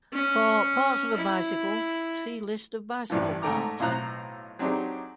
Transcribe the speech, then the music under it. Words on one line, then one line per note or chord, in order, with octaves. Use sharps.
For "parts of a bicycle", see List of bicycle parts.
C#4
E4
A1 G2 E3 F3
G#2 A3 G5 A#5 D6
B1 A2 F4 C5 A#5 F#6
F#3 C4 D4 D#4 G4 G#4